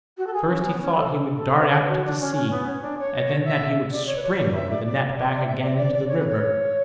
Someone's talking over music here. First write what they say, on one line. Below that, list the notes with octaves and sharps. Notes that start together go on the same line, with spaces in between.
First he thought he would dart out into the sea, and then that he would spring over the net back again into the river.
F#4
A4
G#4
C#4
B3
C#4
A4
A4
B4
C#5
F#4
D4
C#4
C#4
B3
C#4
D4
C#5
E5
D5
C#5
B4
C#5
D5
E5
D5
D5
D5
D5
E5
D5
D5
D5
C#5
B4
C#5